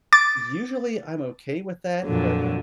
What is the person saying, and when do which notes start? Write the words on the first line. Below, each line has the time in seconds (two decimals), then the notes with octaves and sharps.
Usually I'm okay with that but,
0.13 D6 A6
2.03 F2 A#2 D3 F#3